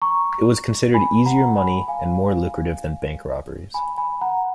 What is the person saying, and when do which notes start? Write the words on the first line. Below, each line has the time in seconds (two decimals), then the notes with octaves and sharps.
It was considered easier money and more lucrative than bank robberies.
0.02 A#5 C#6
0.94 G#5 B5
1.26 F#5 A#5
1.57 G#5 B5
1.88 F5 G#5
3.74 G#5 B5
3.98 G#5 B5
4.21 F#5 A#5